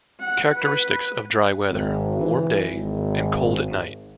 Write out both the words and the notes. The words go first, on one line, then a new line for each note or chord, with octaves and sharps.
Characteristics of dry weather, warm day and cold at night.
F#5
B4
G#1
E3
G#1